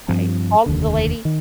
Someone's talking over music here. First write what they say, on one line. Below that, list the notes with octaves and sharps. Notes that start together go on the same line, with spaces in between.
I called the lady
G2 F3 C4
F1 D#2 D3
D#3